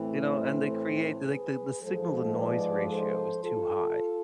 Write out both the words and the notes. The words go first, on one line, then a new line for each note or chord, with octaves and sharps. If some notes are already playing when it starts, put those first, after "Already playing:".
you know, and they create like, the the signal to noise ratio is too high,
Already playing: A2 E3 A3 C4
A4 C5
G#4 B4
G#2 F3 G#3 A4 C5
B4 D5
A4 C5
F4 A4